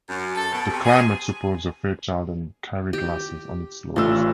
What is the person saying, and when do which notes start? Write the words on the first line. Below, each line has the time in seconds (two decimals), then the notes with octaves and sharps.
This climate supports the Fairchild and Carrie Glaciers on its slopes.
0.09 F#2
0.36 A4
0.52 B2
0.70 C3
0.85 G#4
2.93 G4
3.96 A1 A3 D4 F4 E6